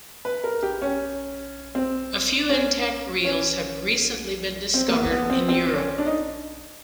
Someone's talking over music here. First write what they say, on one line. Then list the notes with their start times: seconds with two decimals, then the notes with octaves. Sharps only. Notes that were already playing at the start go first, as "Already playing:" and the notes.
A few intact reels have recently been discovered in Europe.
0.25 B4
0.44 A#4
0.63 G4
0.82 C#4
1.75 C4
2.49 C#4
3.25 C#4
4.74 C4
4.88 A#3
4.92 B3
5.11 B3
5.24 B3
5.30 C4
5.49 C4
5.74 C#4
5.98 D4
6.06 D#4